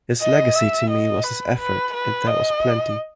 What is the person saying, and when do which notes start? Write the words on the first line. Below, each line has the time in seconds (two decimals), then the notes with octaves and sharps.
His legacy to me was his effort, and that was plenty.
0.20 D#5
0.55 E5
0.90 D#5
1.24 B4
1.59 B4
1.94 B4
2.27 D#5